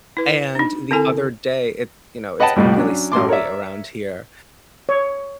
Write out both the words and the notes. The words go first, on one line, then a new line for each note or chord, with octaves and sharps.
and the other day, it you know, it's been really snowy around here.
E4 B4
D4 D#4
D3 C4 E4 A4 G#5
B4 D#5 F#5 G5 A5 B5
C2 F2 A2 G3
F#3 C#4 D4
A1 F#2 C6 D6
A#4 C#5 D5 E5
C#5